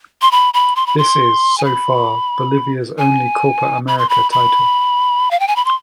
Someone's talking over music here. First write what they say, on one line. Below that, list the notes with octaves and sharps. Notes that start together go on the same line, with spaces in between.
This is, so far, Bolivia's only Copa America title.
C6
B5
B5
C6
B5
C6
G#5
B5
G#5
B5
C6
B5
B5
F5
G5
G#5
B5
C6